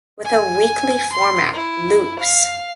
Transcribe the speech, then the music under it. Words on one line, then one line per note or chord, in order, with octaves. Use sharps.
With a weekly format, “Loops”!
G#5
C6
E4
F5